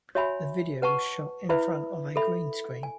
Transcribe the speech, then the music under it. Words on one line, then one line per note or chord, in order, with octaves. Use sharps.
The video was shot in front of a green screen.
F#4 C#5 E5 G#5 B5
B4 F#5 A5 C#6
E4 B4 E5 B5
A4 E5 B5
G#5